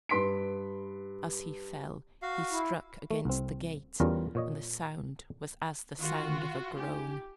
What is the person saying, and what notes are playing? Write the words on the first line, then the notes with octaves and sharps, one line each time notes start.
As he fell he struck against the gate, and the sound was as the sound of a groan.
G2 B4 C6 B6 D7
F#4 F5
E4
A3
C2 C4
E2 G3 C#4 F4 A#4 A#5
A#2 C#5 D#5
D#3 F4 F#4
D#4 G4 G#5